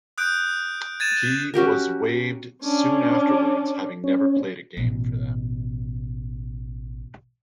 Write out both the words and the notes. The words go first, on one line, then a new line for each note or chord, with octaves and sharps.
He was waived soon afterwards, having never played a game for them.
D#6 F#6 G6 D7
G#6 A6 D#7 E7
C#4 F#4 G4 A#4
C#4 D4
C#4
A1 B2